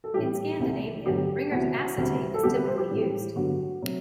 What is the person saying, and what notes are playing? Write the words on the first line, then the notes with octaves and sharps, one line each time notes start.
In Scandinavia Ringer's acetate is typically used.
A4
A2 E3 G3 G4
C2 C3 E3
G2 D3 F#3 B3 G4
D2 C3 E3 B3 F#4
D2 C3 G3 B3
A4
D2 C3 G3 B3 G4
B4
C5
G4
A2 E3 G3 C4
G2 D3 F#3 B3 F#4
C3 F#3